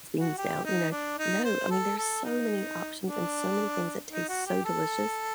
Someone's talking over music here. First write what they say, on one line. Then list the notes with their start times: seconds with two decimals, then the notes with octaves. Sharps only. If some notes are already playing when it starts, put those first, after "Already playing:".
beans down, you know? No, I mean, there's so many options and so many things that taste so delicious.
0.20 F#4
0.38 G4
0.64 D#4
0.91 D4
1.18 D#4
1.44 C5
1.71 A4
1.98 A4
2.24 D#4
3.05 D4
4.12 D#4
4.28 F#4
4.47 G4
4.65 A4